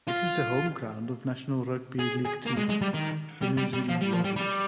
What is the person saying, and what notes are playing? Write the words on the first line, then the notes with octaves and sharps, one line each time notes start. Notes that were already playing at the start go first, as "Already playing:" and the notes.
It is the home ground of National Rugby League team, the New Zealand Warriors.
F4
G#4
G#4
A#3
G#3
G#3
G3
D#3
G3
G3
G3
F3
G3
F3
G3
G3